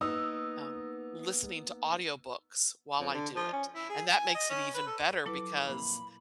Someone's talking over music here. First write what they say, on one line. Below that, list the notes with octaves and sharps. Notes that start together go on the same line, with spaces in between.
um, listening to audiobooks while I do it, and that makes it even better because
A#3 B3 D#4 D#6 E6
F2
D3
F3
C#4
E4
G#4
G#5
D#5
C#4
B4
A4
F3 F#3 E4 A4 B4 D6
F2 A#2 A#3 B5